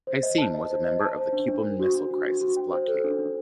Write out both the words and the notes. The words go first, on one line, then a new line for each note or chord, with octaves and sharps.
Hissem was a member of the Cuban Missile Crisis blockade.
C5
D#5
A5
D#5
C5
D#5
A5
C5
D4
D4
A#4
F#4
D4
F#4
F#4
F#4
G5
C5
A4
D4
D4